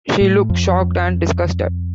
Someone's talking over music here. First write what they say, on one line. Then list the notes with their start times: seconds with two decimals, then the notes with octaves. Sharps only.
She looks shocked and disgusted.
0.21 A2
0.50 F2